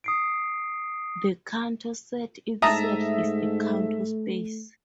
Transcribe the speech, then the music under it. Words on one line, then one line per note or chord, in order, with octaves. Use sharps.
The Cantor set itself is a Cantor space.
D#6 C7 D7
G#2 A3 E5 A5 A#5 D#6